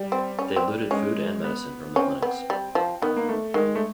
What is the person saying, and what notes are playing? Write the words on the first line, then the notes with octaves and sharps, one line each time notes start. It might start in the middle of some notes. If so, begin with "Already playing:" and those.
They looted food and medicine from the clinics.
Already playing: G3
C4
C#4
C4
G#3 C#4
B3
C4 C#4
B3
G3
F3
D#3 B3
A#3
A3
D#3 G#3
A3